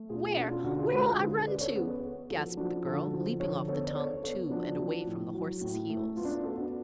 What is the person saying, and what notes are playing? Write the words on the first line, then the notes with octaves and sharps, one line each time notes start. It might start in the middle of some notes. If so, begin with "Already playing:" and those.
"Where, where'll I run to?" gasped the girl, leaping off the tongue, too, and away from the horses' heels.
Already playing: A3
B2 F4 G#4
F4 G#4
C#4 D4 F#4
F4
D3 D4 F#4
F4 G#4
G#3 F#4 A4
F4 G#4
D3 G#4 B4
C#4 B4 D5
A4 C#5
B3 G#4 B4
B3
F3 F#4 A4
F3 D4 F#4
D3 F#4 A4
F3
D3 A4 C#5
B3 A4 C#5
D5
B3 A4 C#5
B3 A4 C#5
F3 D4 F#4
F3
A2
F#3
A2
A3
B3 F4
D4
F4
B3 F#4 A4
D4 F#4